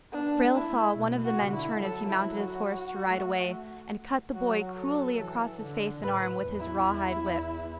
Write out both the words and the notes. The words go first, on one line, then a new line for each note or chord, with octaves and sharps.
Frale saw one of the men turn as he mounted his horse to ride away, and cut the boy cruelly across his face and arm with his rawhide whip.
B3 D4
A3
E4
A3
B2
F#4
D3
E4
F#3 A4
E4
F#4
A3
F#3 F#4
A4
E3
D3
A2 B4
E2
E4
E2
E2